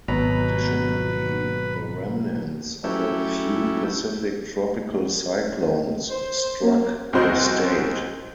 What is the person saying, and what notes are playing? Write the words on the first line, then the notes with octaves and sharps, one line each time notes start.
Additionally, the remnants of a few Pacific tropical cyclones struck the state.
G#1 B2 F#3 B3 B4 A#5
F#3 A3 C#4 E4 G4
C5
A#3
C2 F#4 C5 D#5 G6